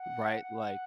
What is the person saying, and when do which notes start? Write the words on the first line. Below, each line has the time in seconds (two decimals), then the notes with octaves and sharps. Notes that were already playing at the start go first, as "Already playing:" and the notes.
Right? Like
Already playing: F#5
0.42 F#5